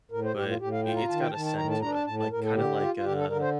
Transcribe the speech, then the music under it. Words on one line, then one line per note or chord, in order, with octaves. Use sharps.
but i it's got a scent to it, like, kinda like a
A2 A#4
C5
A2 G4
F4
A2 G4
F5
F4 G5
A#5
D#3 A5
G5
D#3 A5
A5
A2 A#5
A5
D4 A#5
A5
A2 A5
A5
A2 A#4
A4
D3 G4
F4
F4
D3 G4
A4
D3 A#4
C5